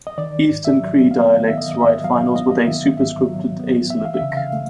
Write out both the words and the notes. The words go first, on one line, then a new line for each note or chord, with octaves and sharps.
Eastern Cree dialects write finals with a superscripted a-syllabic.
D#5
D#3 D5
G#2
E5
F#3
B3 F5
D#3 E5
D#5
G#2 D#5
E5
F#3 F5
B3 D#5
D#3 E5
G#2 E5
F#3
B3
E3 E5
F5
E5
C#3
F5
A3